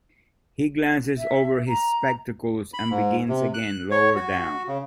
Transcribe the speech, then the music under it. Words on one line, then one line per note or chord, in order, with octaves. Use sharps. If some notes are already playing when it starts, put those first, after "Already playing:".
He glances over his spectacles and begins again lower down.
E5
A#5
B5
G#2
C3
F#6
C#5
F#4
C#3